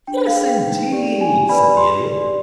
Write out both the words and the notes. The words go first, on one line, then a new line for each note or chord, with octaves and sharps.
"Yes, indeed," said the Idiot.
D4 G5
F5
G#4 B4
G5
D#4
G4 D5
G4 G#5
B4 D5 B5
G4 C6
D5